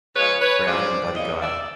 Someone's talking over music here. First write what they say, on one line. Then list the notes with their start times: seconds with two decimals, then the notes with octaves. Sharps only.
Brown and Buddy Guy.
0.16 C#3 F3 G#3 B4 C#5
0.41 B4 C#5
0.66 C#3 F3 G#3 C5 D5
1.16 D3 G3 A#3 C#5 D#5
1.41 D5 E5